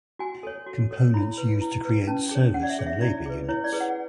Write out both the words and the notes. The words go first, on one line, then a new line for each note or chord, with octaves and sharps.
Components used to create service and labor units.
F#4 G#5
A4 C#5
F#4
A4 C#5
E4 B5
B4
E4
B4
C#4 A5
G#4 C#5
C#4 F#5
D5
E5
G#4 C#5
E5
E4 D5
G#4 B4
E4 C#5
D5
G#4 B4
F#5